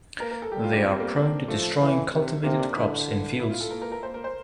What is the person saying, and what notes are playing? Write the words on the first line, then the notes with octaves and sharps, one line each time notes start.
They are prone to destroying cultivated crops in fields.
A#3 A#4
A#4
A4
G3 G4
F4
D4
C4
A#3
D4
F3 A3
E3
C3
C3 A#3
D4
D3 E4
E4
F4
A4
A#3 A#4
A#4
A#4
A#3 C5
A#4
C5